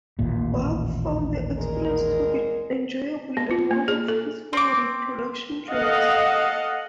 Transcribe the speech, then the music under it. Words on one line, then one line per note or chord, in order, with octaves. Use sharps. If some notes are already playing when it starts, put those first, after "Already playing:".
Buck found the experience to be enjoyable and one of his favorite production jobs.
A1 D#2 A#2
E2 G#3 A#4
B3
F4
A#3
G#4
A4
C4 D6
A4 D#5 F5 F#5